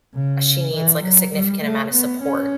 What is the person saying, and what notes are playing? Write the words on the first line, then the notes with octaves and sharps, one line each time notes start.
uh, she needs, like, a significant amount of support,
C#3
E3
F#3
G3
A3
B3
C#4